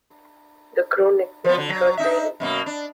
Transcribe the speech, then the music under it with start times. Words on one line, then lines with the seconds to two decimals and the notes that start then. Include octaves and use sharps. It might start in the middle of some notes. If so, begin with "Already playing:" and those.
The crew nicknamed her "Tiny".
1.45 F3 B3
1.57 D3
1.69 F#3
1.97 D4 D#4 E5
2.40 F#2 B2 A#3
2.66 D4